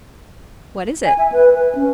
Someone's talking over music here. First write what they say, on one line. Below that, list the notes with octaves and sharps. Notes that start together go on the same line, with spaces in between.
"What is it?"
G#5
E5
B4
B4
C#4